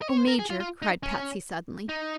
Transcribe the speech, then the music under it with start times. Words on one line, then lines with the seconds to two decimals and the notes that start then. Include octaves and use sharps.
"Oh, Major!" cried Patsy, suddenly.
0.02 D#5
0.09 C#5
0.17 C5
0.27 A#4
0.39 G#4
0.50 F4
0.60 F4
0.82 D#4
1.03 C#4
1.89 D#4